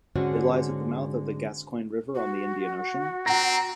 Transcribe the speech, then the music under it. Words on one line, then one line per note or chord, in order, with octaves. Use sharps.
It lies at the mouth of the Gascoyne River on the Indian Ocean.
G#2 D3 G#3 C4 C#4 F#4
F#4
C4 F#5 A#5 A#6